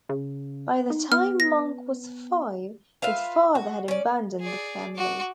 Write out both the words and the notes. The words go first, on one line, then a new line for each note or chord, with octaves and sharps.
By the time Monk was five, his father had abandoned the family.
C#3
D#4
B3 F6
A#6
F4 B4 E5 F5
F#4
C#4 D5
G#4 D5
F#4 D6